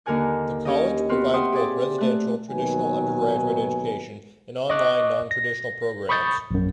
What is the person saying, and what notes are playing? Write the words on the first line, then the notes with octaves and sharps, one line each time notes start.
The college provides both residential, traditional undergraduate education and online, non-traditional programs.
D#2 D3 A#4 F#5 G#5 F#6
C#4 G4 D#5
B3 C4 F4 F#4 B4
E5 F#5 G5 C6 D#6
G4 G#4 D5
A3 F#6
D#2 B2 D#3 F#3 B4 G#5
D#5 C#6 D6 F#6
A#6
B5 C#6 D#6 G6 A6
A#1 F#2